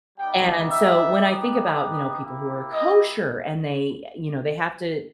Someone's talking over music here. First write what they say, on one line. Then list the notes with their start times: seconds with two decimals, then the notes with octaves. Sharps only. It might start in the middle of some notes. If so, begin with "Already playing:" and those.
and so when I think about, you know, people who are kosher and they, you know, they have to,
0.18 G3 B3 D#4 G4 G5
0.69 E5
1.20 B3 D#4 G4
2.21 A#3 E4 G4
2.72 D#5